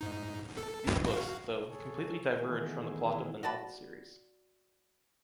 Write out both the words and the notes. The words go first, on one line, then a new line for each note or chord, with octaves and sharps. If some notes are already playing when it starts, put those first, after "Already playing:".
These books, though, completely diverge from the plot of the novel series.
G#2 D#4
A4
F#4 F5
G#4 A4 C#5
D#3 E3 A3 B3 E4 G#4
F#4 D5 A5 B5